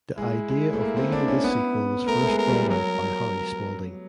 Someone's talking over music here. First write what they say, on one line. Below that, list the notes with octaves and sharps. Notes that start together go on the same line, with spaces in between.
The idea of making this sequel was first brought out by Harry Spalding.
G#3 E4
G#3
A3
A#3
C4
D4
C#4
B3
A3 A#4
A3
G#3
A#4
G3
F#3 A#4